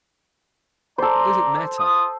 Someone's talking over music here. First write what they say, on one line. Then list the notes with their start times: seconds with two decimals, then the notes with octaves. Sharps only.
What does it matter?
0.98 A4 C5 D5 A#5
1.79 F4 D#6